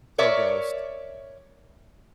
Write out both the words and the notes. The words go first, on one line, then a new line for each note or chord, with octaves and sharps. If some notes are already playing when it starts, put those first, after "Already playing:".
So gross.
A#4 C#5 D5 E5